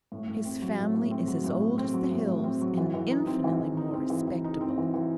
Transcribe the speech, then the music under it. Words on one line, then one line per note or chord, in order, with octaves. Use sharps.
His family is as old as the hills, and infinitely more respectable.
A2
A2
C4
F#3
A2
A2
C4
F#3
A2
A2
C4
F#3
A2
A2
C4
F#3
E3
E3
D#4
C4
E3
E3
D#4
C4
E3
E3
D#4
C4
E3
E3